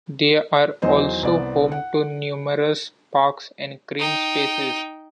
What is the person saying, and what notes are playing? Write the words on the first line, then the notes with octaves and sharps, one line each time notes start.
They are also home to numerous parks and green spaces.
E2 D#3 F#3 D#4 C5 D#5
C2 B3 C5 D5
F#5
D#4 G5